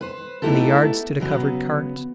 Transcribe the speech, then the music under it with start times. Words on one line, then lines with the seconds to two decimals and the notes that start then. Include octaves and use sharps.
In the yard stood a covered cart.
0.01 B4 C5
0.42 A3 B3 D#4 E4 G4 A4
1.20 C#3 F#3 B3